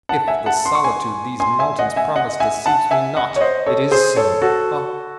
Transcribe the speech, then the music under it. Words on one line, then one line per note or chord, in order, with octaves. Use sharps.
If the solitude these mountains promise deceives me not, it is so; ah!
F#5 A5
E5 G#5
F#5 A5
C6
C#6
G#5 C6
G#5 C6
E5 G#5
D#5 F#5
E5 G#5
D#5 F#5
E5 G#5
F#5 A5
E5 G#5
D#5 F#5
C#5
C5 D#5
A4 C#5
G#4 C5
A4 C#5
F#4 A4